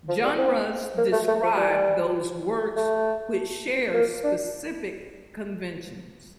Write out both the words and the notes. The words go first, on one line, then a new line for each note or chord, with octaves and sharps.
Genres describe those works which share specific conventions.
F3
G3
C4
A#3
A3
A3
F3
G3
A3
A#3
D4